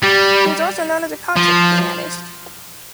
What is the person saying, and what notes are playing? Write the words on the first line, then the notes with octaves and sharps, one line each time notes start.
He was also known as a concert pianist.
G3
F3